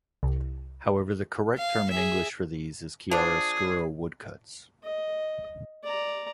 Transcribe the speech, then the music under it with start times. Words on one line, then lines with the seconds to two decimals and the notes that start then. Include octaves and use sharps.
However, the correct term in English for these is "chiaroscuro woodcuts".
0.23 C2
1.58 F5
1.91 G#4 E5
3.11 F3 D4 G#4
4.83 D#5
5.84 D5 A#5